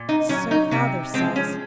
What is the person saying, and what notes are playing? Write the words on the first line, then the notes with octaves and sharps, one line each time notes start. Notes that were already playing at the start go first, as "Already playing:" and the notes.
'So father says.
Already playing: A#2
D#4
F#3 C#4
D#4
C3 C4
F3 G#3 C4
C#4